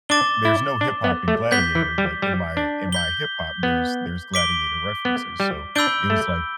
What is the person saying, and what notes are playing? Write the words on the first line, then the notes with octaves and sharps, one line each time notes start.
there's no hip-hop in Gladiator, but in my in my hip-hop, there's there's Gladiator references, so it was like
D4 D6 A6 E7 G7
E4
D4
B3
A3
B3 G6 B6 G7
E3
G3
G3
D4
G6 B6 G7
B3
D6 B6 D7 G7
B3
G3
D4 B5 E6 G6 D7 G7
A3